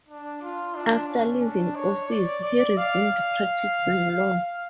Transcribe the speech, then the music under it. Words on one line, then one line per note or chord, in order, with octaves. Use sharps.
After leaving office he resumed practicing law.
D4
F4
D4
C#4
D4
C#5
D5
D5
F5
F5